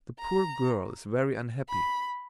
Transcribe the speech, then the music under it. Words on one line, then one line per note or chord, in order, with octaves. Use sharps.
The poor girl is very unhappy.
A#5
B5